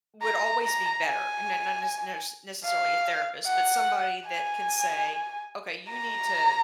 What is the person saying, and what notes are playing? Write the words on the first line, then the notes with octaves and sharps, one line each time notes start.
would always be better. N n nes nurse necessarily a therapist, but somebody that can say, "Okay, you need to eh,
A#5
A#5
G#5
F5
F#5
G#5
A#5